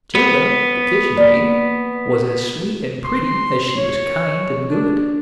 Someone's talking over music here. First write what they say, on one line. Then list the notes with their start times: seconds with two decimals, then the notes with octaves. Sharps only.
Tilda, the kitchen-maid, was as sweet and pretty as she was kind and good.
0.15 B3
1.17 A#3 D5
3.04 C6
3.77 C#5
4.70 D4